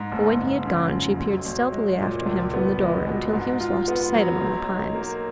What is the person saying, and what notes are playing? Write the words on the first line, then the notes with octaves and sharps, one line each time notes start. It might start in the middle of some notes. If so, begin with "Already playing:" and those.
But when he had gone she peered stealthily after him from the door until he was lost to sight among the pines.
Already playing: G#2
F#1
F#1
C#3
F2
B1
B1
G#3
A#2
C#2
B3
G#3
B2
G#2
F4
B3
F#3
B1
D#4
A#3